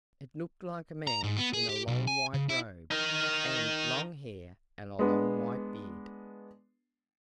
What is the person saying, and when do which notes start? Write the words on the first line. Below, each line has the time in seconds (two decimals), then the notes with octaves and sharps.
It looked like a man in a long white robe and long hair and a long white beard.
1.07 A#5
1.23 G#2
1.38 B3
1.53 G#4
1.69 G4
1.88 B1
2.07 G#5
2.34 C#3
2.49 E4
2.91 D#4 A#4
4.99 G#3 B3 D4